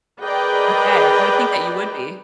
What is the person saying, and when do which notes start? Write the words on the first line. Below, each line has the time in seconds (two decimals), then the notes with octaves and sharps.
Okay, you would think that you would be.
0.23 G#4 A#4 B4 D5 D#5 G5